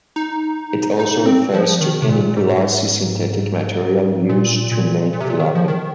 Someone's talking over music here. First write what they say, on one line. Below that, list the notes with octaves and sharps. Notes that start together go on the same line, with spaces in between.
It also refers to any glossy synthetic material used to make clothing.
D#4
D#4
C4
F3
D#3
C3
A#2
G#2
A#2
A#2
A#2
C3
A#2
D#3
F3
D#3